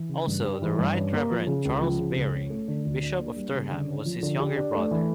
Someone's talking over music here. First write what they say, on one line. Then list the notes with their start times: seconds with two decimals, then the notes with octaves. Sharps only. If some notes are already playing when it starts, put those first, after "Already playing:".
Also, the Right Reverend Charles Baring, Bishop of Durham, was his younger brother.
Already playing: E3
0.09 C#3
0.27 G2
0.45 G3
0.62 E3
0.79 G2
0.95 C#4
1.13 A#3
1.31 F3
1.47 C#3
1.65 C#2
1.81 F3
1.99 C#3
2.16 C#2
2.34 C#4
2.50 A3
2.68 D3
2.85 D2
3.03 D4
3.19 A#3
3.36 G3
3.54 C#3
3.71 D3
3.88 C#4
4.05 F3
4.23 D3
4.40 G4
4.57 D4
4.75 A3
4.91 E3